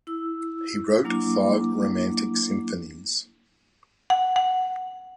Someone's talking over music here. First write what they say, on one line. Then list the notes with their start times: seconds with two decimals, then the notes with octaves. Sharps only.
He wrote five romantic symphonies.
0.07 E4 E6
1.04 F#3 A#3 D4 E4 D6
4.10 F#5
4.36 F#5